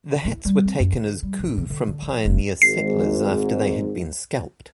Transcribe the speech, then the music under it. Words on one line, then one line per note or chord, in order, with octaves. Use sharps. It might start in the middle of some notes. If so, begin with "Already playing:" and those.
The hats were taken as coup from pioneer settlers after they had been scalped.
E4
G3
C4
F#2
D3
G3
A1
C#3
D3
D3
F3
F1
G#1 G#2 C7